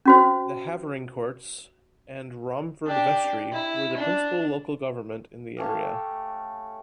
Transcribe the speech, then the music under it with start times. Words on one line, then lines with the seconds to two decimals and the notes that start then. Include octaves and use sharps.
The Havering courts and Romford vestry were the principal local government in the area.
0.06 C#4 F#4 C5
2.86 D4 G4
3.52 E4
3.97 D4
5.57 A3 C#4 G4 F5